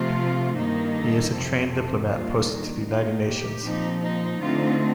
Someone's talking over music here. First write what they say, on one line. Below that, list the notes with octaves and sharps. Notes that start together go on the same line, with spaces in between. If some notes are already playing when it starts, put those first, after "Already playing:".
He is a trained diplomat posted to the United Nations.
Already playing: C3 F3 A3 C4 F4
G2 D#3 A#3 D#4
A4
F2 C3 F3 C4
A4
D#2 D#3 G3 D4 F4
D#4
A#2 A3 D#4 F4
G4
A#2 F3 C4 D#4
D#4
D3 A3 C4 D#4 F4